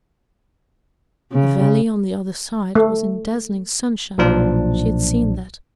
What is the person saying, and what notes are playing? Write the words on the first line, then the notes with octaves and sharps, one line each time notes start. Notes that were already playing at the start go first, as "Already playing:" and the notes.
The valley on the other side was in dazzling sunshine--she had seen that.
C#3
A3
B1 A#2 F3 D4